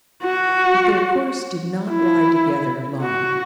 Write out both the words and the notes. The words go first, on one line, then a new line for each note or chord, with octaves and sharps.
But their course did not lie together long.
F#4
E4
F#4